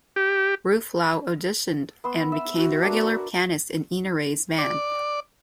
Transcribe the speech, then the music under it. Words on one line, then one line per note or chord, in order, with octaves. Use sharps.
Ruth Lowe auditioned, and became the regular pianist in Ina Ray's band.
G4
B3 C6 E6
E5
F#4
D4 A#4
D5